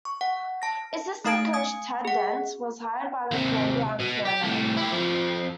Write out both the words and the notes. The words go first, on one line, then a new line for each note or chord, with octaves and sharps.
Assistant coach Ted Dent was hired by the Columbia Inferno.
C#6
F#5
A5 A#6
A3 D#4 F5 D#6 G#6 D7
G#5 D#6 G#6
G#4 F#5
D#2 C3
B2
G4
C2 A2
E4 G4
F2 F3